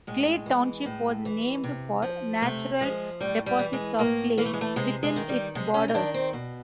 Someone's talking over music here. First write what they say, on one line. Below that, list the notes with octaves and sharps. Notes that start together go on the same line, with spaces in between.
Clay Township was named for natural deposits of clay within its borders.
A2 G#3
E3
A2
E3
C3
F3
C3 A3
F3 G#3
A2 G3
G3
E3
G#3
A2 A#3
E3 A#3
A3
G#3
A3
C3 G#3
G#3
D#3
G3
C3 G#3
C#4
D#4
D#3 D4
C4
B2